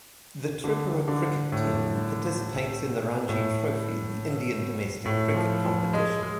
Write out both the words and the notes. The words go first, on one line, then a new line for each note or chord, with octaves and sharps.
The Tripura cricket team participates in the Ranji Trophy, the Indian domestic cricket competition.
D3
D3
A2
A2
A2
F3
F3
G#3
G#3